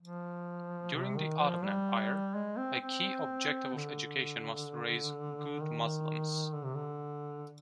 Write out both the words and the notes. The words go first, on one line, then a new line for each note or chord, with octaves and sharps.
During the Ottoman Empire, a key objective of education was to raise 'good Muslims'.
F3
C3
D#3
F3
G3
G#3
C4
C4
D3
D#3
D3
C3
D3